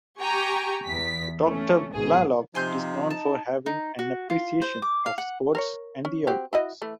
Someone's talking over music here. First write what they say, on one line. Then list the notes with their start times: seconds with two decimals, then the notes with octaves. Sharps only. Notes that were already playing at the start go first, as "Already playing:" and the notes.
Doctor Blalock is known for having an appreciation of sports and the outdoors.
0.19 G4 G5 G#5 A#5 C#6
0.85 E2 B6
1.42 A3 C#4
1.94 G#1 G#2 B2 G#4
2.55 C3 F3 D#4 G#5 C6 G6
3.10 A5
3.66 D#4
3.99 F#4
4.30 F4
4.62 C5
4.82 D6
5.06 F5
5.18 F#5
5.55 A#4 C5 C#5
6.05 C#4
6.27 C4 F#4 G4
6.53 E4 F#4 D#5
6.82 E3 A3